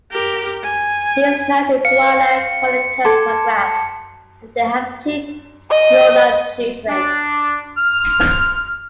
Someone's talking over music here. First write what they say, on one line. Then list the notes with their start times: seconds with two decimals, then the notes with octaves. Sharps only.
He is married to Joanna Collicutt McGrath and they have two grown up children.
0.11 G4 A#4
0.63 G#5
1.85 F5 C#7
3.05 A4 A5 C6 D6 G#6
5.70 D#5
6.89 D4
7.78 F6